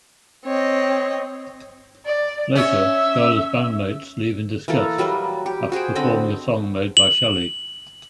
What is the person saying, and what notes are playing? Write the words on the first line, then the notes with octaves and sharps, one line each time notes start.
Later, Skyler's bandmates leave in disgust after performing a song made by Shelley.
C4 C#5 D#5
D5
C#4 C#5 E5
E3 A#3 A4 B4
F#3 G3 A#3 B4
G4
F#4 G#4 C5 G5
D3 C4 D#5 B5
F#7